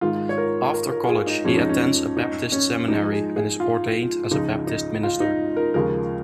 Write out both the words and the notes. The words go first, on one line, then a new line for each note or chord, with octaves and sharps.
After college, he attends a Baptist seminary and is ordained as a Baptist minister.
G#2 D#3 G#3 F4
C#5
A#4
A#4
A#4
F4
G#4
D#4
F2 F3 G#3 C#4
D#4
C#4
D#4
C#4
G#2 F3 G#3 D#4
G#4
G#4
F4
C#2 C#3 F3 G#3 D#4
D#4
F4
D#4
A#4
D#2 C#3 F3 G#3 A#4